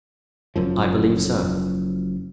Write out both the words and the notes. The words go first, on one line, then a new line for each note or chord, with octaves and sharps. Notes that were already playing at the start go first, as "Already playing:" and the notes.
"I believe so."
F#1 F#2 F3